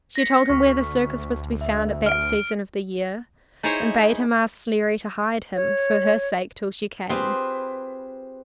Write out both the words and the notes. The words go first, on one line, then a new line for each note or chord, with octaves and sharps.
She told him where the circus was to be found at that season of the year, and bade him ask Sleary to hide him for her sake till she came.
A#6 B6 C#7
D2 C#6 F6 B6
E5
F6 D7
D#4 E4 G#4 C5 C#5
C#5
C4 F4 G4 G#4 B4